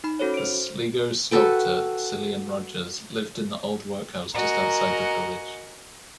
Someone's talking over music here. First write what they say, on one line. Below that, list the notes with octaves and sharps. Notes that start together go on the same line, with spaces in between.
The Sligo sculptor, Cillian Rodgers, lives in the old workhouse just outside the village.
D#4 B5
C#4 F#4 A4 C5 C#5
C5 D7
F#4 A4 B4 G5
F#4 A#4 D#5 F#5 G#5 A#5